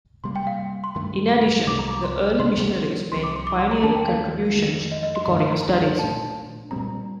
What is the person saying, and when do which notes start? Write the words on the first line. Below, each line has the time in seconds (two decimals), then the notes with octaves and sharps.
In addition, the early missionaries made pioneering contributions to Korean studies.
0.24 C3 G3 A#3 C6
0.36 G5
0.47 F5
0.84 C6
0.95 G2 D#3 A3 C6
1.67 C2 C3 G3 D6
1.79 A#5
1.91 D6
2.04 C6
2.39 C3 F3 A#3 D4 C6
3.12 C2 C3 F3 C6
3.24 D6
3.36 C6
3.47 D6
3.59 C6
3.71 A#5
3.83 D#2 D#3 A#3 D4 A5
3.96 G5
4.08 F5
4.19 F5
4.56 F2 D#3 A3
4.92 D#5
5.03 D#5
5.16 C6
5.27 G2 D#3 A3 D4 C6
5.39 C6
5.52 A#5
5.99 A#2 A3 D4 A5
6.71 A#2 G3 C4 A#5